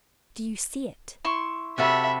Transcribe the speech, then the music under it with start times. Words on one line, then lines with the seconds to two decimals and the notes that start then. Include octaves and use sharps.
"Do you see it?"
1.25 E4 C6 C#6
1.78 C3 F#4 A4 E5 B5